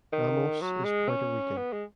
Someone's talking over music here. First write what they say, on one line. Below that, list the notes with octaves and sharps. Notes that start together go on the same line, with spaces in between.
Ramos is Puerto Rican.
D#3
F#3
G#3
C#4
B3
G#3